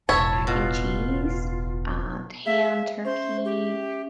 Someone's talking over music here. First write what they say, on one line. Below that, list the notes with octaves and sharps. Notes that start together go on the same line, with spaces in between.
mac and cheese, uh, ham, turkey,
E1 A1 E4 C#5 A5
B2 F4
G#4 E5 F5
C#4 C5 E5
G4